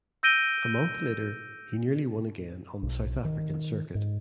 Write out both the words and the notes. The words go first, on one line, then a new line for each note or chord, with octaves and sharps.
A month later he nearly won again on the South African circuit.
E6 G6 A#6 D7 D#7 G7
B1
D#3
G#2